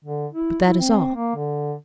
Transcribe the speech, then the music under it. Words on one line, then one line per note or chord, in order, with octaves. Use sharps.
But that is all.
D3
E4
E4
C4
A#3
D3